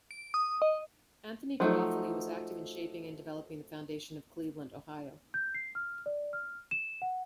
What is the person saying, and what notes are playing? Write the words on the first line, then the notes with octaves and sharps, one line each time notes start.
Anthony Garofoli was active in shaping and developing the foundation of Cleveland, Ohio.
D7
D#6
D#5
F3 F#3 A3 D#4
G6
C7
F6
D5
F6
E7
F#5